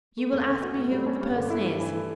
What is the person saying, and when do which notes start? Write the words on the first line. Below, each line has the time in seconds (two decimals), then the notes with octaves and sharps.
You will ask me who the person is.
0.17 A3
0.32 E2
0.47 D3
0.62 F#4
0.76 A2
0.91 G3
1.06 C#4
1.21 G2
1.35 D3
1.50 E4
1.65 G2
1.80 E3
1.95 A4